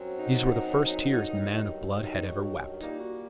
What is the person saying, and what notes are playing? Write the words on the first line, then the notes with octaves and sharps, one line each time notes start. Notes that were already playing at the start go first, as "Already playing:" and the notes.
These were the first tears the man of blood had ever wept.
Already playing: F#2 F#3 C4
D#4
G2 D#3 F#3
D#4
F#4
A#2 G3 A#3 D#4
F#4